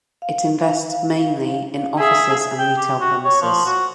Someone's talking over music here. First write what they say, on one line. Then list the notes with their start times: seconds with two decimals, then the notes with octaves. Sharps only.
It invests mainly in offices and retail premises.
0.22 F5
1.98 G#4 E5
2.59 G5
2.78 G4
3.01 F#4
3.24 C#5
3.42 F3
3.66 F#4